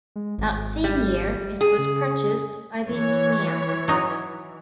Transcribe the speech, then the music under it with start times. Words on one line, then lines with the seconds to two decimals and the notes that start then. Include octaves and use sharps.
That same year it was purchased by the Eminata Group.
0.16 G#3
0.38 G#1
0.84 G3
1.61 G#4
1.78 C#3
2.88 E3 C#5
3.88 F#3 D#4